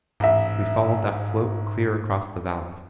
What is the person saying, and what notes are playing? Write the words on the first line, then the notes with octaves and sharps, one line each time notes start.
We followed that "float" clear across the valley.
A1 G#2 E5